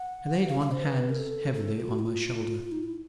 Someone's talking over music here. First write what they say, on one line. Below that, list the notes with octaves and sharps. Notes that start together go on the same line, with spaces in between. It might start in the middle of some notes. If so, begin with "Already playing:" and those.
He laid one hand heavily on my shoulder.
Already playing: F#5
F#5
F5
F5
C5
B4
A#4
A4
A4
F4
F#4
E4
F4
D#4
E4